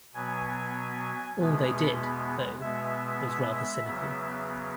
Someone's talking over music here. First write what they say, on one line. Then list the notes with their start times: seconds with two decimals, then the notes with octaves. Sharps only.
All they did, though, was rather cynical.
0.13 B2 F#3 B3 G#5
1.37 E2 B2 G#3 B3
2.61 B2 G#3 B3 E5
3.84 E2 C#3 F#3 B3